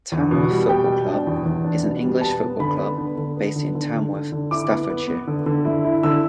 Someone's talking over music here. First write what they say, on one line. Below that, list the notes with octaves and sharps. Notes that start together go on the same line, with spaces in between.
Tamworth Football Club is an English football club based in Tamworth, Staffordshire.
E2
B2
G3
G3 G5
B2
D4
E2
E2
D4
B2
G3
B3 A5
B3
D3 B5
B3
D3
D3
B3
D3
D3
D3
D3
D3
E4 D6
B3
B3
B3
D3
D3
E4
E4
D3 E6